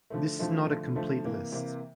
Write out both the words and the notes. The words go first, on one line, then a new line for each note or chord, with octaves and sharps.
This is not a complete list.
D3 F3 A3
D3 F3 A3
D3 F3 A3
D3 F3 A3
C3 E3 A#3
C3 E3 A#3